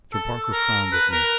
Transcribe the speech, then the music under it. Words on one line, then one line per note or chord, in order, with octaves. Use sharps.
Mr. Parker frowned at me.
A4
A#4
B4
A#4